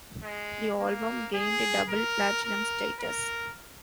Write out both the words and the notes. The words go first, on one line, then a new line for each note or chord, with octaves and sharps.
The album gained double platinum status.
G#3
A#3
G#4
A#4
A#4
A#4